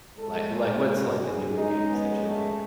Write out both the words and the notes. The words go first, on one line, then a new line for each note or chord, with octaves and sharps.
like like, what's, like, the newer games that you like?
A2 G#3 A4
G#4
F#4
G#4
C#3 G#3 D#4
B3
A3